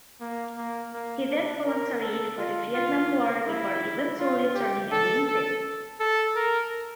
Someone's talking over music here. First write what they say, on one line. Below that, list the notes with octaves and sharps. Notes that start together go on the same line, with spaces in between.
He then volunteered for the Vietnam War before eventually turning against it.
A#3
A#3
A#3
D4
A#4
A4
F4
F4
E4
F4
G4
A4
A4
A4
A#4